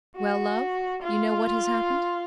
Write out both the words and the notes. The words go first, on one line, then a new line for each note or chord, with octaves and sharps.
"Well, love--you know what has happened?"
F#4
F4